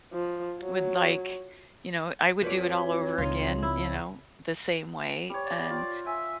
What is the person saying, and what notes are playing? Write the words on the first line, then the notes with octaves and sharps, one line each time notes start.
would, like, you know I would do it all over again, you know, the same way, and
F3
F#3
F2 F#4 B4 C#5 D5
C#2 C#3 D#4 F4
E4
G3 C#5
D5
F4 G5
E5 G#5